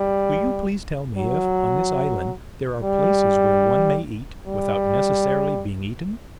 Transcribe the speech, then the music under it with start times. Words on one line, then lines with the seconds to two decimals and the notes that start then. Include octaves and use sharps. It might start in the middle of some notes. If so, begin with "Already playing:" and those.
"Will you please tell me if, on this island, there are places where one may eat without necessarily being eaten?"
Already playing: G3
1.16 F#3
2.83 G3
4.47 G3